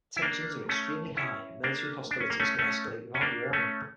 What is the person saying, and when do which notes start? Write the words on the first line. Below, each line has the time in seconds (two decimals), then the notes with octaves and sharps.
Tensions are extremely high and military hostilities could escalate without warning.
0.16 E4
0.22 A#3 D4
0.69 A3 C#4
1.17 C#4 E4
1.63 A#3 D4
2.11 D4
2.20 C#4
2.30 A#3
2.40 A3 C#4
2.59 A3 C#4
3.14 C#4
3.21 A#3 D4
3.53 A3 C#4